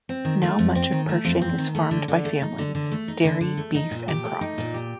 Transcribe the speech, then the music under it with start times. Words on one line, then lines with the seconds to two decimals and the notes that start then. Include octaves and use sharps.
Now much of Pershing is farmed by families: dairy, beef and crops.
0.09 C4
0.25 D#3
0.42 A3
0.59 F2
0.75 C4
0.92 D#3
1.09 A3
1.25 F2
1.42 C4
1.58 D#3
1.75 A3
1.91 D3
2.08 D3
2.25 A3
2.42 D#4
2.58 D3
2.75 D3
2.92 A3
3.08 D#4
3.25 D3
3.41 D3
3.57 A3
3.75 D#4
3.91 A#2
4.08 G4
4.25 A3
4.41 D#4
4.58 A#2
4.74 G4